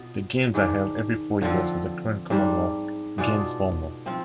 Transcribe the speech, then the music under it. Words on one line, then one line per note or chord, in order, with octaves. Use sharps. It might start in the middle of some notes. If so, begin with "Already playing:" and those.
The games are held every four years with the current Commonwealth Games format.
Already playing: B2 B3 F4
G#2 D#3 G#3 D4
D3 F3 C4 F4
G#2 G3 D4
B2 G#3 D4 F4
F3 C4 F4